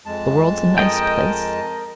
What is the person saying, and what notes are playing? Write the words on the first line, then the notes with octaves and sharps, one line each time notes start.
The world's a nice place.
F2 G#3 A5
A#4 D#5 G5